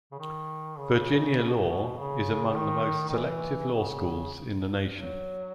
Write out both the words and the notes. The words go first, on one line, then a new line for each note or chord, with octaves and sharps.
Virginia Law is among the most selective law schools in the nation.
C#3
D#3
C#3
C#3
B2
B2
C#3
D#3
D#3
E3
C#3
F#3